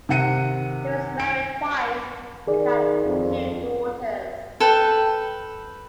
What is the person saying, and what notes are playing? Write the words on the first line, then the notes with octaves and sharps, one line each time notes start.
He was married twice, and had two daughters.
C3 D#3 F#5 C#7 D#7
D7
D#3 G#4 D5
F2
A4 B4 G5